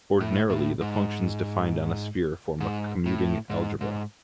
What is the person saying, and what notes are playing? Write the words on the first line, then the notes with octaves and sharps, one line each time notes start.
Ordinarily, the functions defined on a sphere form a commuting algebra.
A2
A2
G#2
G#2
A2
G#2
G#2